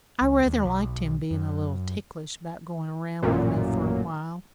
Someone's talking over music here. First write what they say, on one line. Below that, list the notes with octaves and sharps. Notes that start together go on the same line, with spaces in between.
I rather liked him bein' a little ticklish about goin' around with me for a while.
C#2
D#2
B1
F#2
A1 F#2 A#2